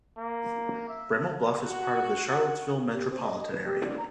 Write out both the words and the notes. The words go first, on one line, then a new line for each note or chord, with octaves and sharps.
Bremo Bluff is part of the Charlottesville metropolitan area.
A#3
E5
F#4
G4
C4
D#5
D#5
B4
G4
D5
A#5